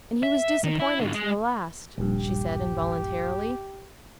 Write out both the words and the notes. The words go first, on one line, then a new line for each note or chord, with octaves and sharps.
"And he was disappointed to the last," she said, involuntarily.
E5
D#3
E4
G#2 D3
G#3
D#1 A#1 G2 G4